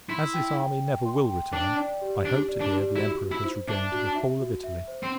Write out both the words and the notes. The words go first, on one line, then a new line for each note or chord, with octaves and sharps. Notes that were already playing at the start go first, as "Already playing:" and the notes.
As this army never will return, I hope to hear the Emperor has regained the whole of Italy.
E4 C6
G5
G5
G5
C6
G5
D4 G5
D5
G4
D4 G4
D5
D4
G4
E4 F#4
F#4
E4
C5
D4 E5
F#4
E5
F#4
E5
C5
C4